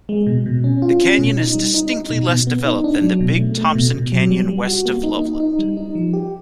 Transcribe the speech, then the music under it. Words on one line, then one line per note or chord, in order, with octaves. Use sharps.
The canyon is distinctly less developed than the Big Thompson Canyon west of Loveland.
G#3
B2
B2
C#4
F4
C#4
B2
D#4
G3
D#4
D#4
B2
B2
B3
D#4
D4
F#3
B2
A3
A3
B2
B2
F#3
G3
G3
F#4
A#3
D#4
D#4
D#4
G3
D#4
F3
G4